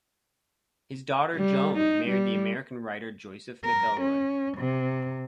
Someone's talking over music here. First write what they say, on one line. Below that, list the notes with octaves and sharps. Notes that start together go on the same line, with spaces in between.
His daughter Joan married the American writer Joseph McElroy.
G3
D#4
G3
A#4
C#4
C3